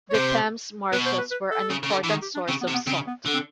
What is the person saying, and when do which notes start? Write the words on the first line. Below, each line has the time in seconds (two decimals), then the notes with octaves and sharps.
The Thames Marshes were an important source of salt.
0.10 C#5
0.13 C3 C5
0.92 B2 B4
1.06 C5
1.18 B4
1.31 B4
1.51 A4
1.70 C#3
1.83 C#3
1.90 D3
2.04 E3
2.09 D#3 G#4
2.22 G4
2.35 D4
2.48 C#3 C4
2.61 B3
2.68 C3
2.74 B3
2.87 C#3 C4
3.07 B3
3.26 D3
3.34 C4